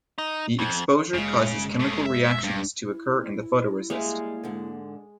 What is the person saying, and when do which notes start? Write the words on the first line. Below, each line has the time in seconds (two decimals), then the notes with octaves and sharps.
The exposure causes chemical reactions to occur in the photoresist.
0.18 D#4
0.59 F2
1.14 F#1 C#3 G#3
1.80 A3 G#4
2.06 E5
2.44 G2
2.86 E4
3.90 G3 G#3 A#3 G#4 E5 F5
4.43 G#2 D3